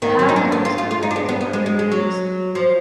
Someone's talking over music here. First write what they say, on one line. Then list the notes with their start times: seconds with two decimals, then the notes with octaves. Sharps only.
The Half-Orcs are very good barbarians.
0.02 D#3
0.19 F#3
0.29 D#4
0.36 D4
0.52 B3
0.65 F4
0.78 F4
0.91 F4
1.03 D#4
1.11 D4
1.16 B3
1.29 B3
1.41 B3
1.53 G#3
1.66 G#3
1.79 G#3
1.91 F#3
2.55 F3